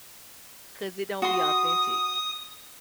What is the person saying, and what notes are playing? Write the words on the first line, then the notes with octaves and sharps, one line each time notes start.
'Cause it don't be authentic.
F#4 C6 D#6